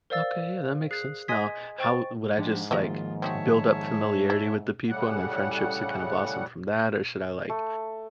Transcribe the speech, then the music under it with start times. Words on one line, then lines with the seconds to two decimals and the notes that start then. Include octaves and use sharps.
Okay, yeah, that makes sense, now, how w would I just, like, build up familiarity with the people and then friendships would kinda blossom from that? Or should I, like
0.10 A#4 C5 D5 F5 E6 A6
0.91 G#4 F#6 C7
1.28 D#5 G#5 C6 D#6 G#6 B6
1.78 C5 G5 C#6 A6
2.38 G#2 F3 G#3 D4 G4
2.71 D#3 F3 A#3 F4 F#4 D#5 E5
3.22 C4 D#4 F#4 C#5 E5 A5
4.30 E4
4.89 A2 C#3 G3 F#5
7.50 A3